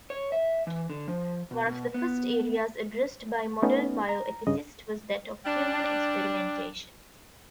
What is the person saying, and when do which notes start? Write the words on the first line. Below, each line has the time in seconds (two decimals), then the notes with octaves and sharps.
One of the first areas addressed by modern bioethicists was that of human experimentation.
0.10 C#5
0.32 E5
0.67 E3
0.90 D3
1.08 F3
1.51 B2
1.67 B2
1.94 B3
3.62 A3 B3 C#4 D#4
4.09 A#5
4.47 C#2 G2 C#3 D#5
5.46 G3 D4